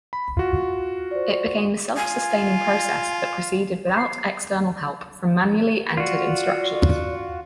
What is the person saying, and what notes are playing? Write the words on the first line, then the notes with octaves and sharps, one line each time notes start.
It became a self-sustaining process that proceeded without external help from manually entered instructions.
B5
F4 F#4
C5 D5
F4 G#5
F4 F#4 D5